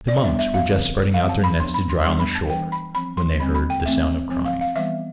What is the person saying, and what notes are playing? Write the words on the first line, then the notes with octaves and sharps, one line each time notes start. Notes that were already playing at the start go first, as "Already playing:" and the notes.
The monks were just spreading out their nets to dry on the shore, when they heard the sound of crying.
D5
G3 B3 D4 E5
E5
F5
D3 F3 C4
F3 C4 F5
A5
B5
F3 B3 D4 C6
B5
C6
G3 B3 D4 C6
B5
A5
E3 G3 D4 G5
B5
F3 C4 B5
C6
D3 G3 C4 B5
B5
G5
E3 A3 C4 E5
F3 C4
F5
F5
E3 G3 B3 E5